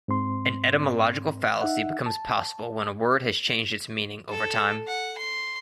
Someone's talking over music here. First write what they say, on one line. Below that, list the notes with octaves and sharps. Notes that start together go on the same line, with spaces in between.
An etymological fallacy becomes possible when a word has changed its meaning over time.
G#2 C4 C6
D#4 E5 F#5
A5
A4
F#5
C6